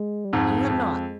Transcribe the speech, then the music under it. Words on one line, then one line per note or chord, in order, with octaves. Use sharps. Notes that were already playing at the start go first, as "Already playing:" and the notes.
You have not.
Already playing: G#3
G3
F2 G#2 G#3
F2